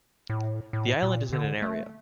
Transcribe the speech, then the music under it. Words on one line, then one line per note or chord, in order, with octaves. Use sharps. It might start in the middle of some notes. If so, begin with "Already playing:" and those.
The island is in area.
A2
A2
A#2
D3
A3